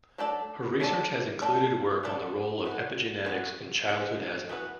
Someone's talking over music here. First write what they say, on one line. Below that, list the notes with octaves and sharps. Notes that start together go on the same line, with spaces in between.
Her research has included work on the role of epigenetics in childhood asthma.
F#3 A3 D4 A4 D5
F#3 A3 D4 A4 D5
F#3 A3 D4 A4 D5
F#3 A3 D4 A4 D5
E3 B3 F#4 B4
E3 B3 F#4 B4
E3 B3 F#4 B4
E3 B3 F#4 B4